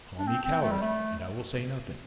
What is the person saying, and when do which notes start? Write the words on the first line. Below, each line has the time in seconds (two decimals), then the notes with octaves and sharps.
Call me coward, and I will say nothing.
0.19 D4
0.27 C4
0.45 C4
0.62 A3
0.71 G3
0.82 A3